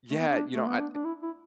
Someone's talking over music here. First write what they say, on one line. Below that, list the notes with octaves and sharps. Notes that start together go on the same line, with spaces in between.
Yeah, you know, I
A3
B3
D4
A3
B3
D4
D4
E4
E4